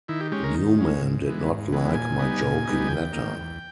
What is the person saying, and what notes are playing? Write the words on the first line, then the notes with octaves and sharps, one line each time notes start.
Newman did not like my joking letter.
D#3 E4
G4
G#3 C#4 G4
A#4
D#3
G#3 C#4
G#2
E3 G#3 B3
G#2
E3 G#3 B3
A#2 G#5
G3 B3 D#4
A#2
G3 B3 D#4
E2 G5
D#3 A#3
E2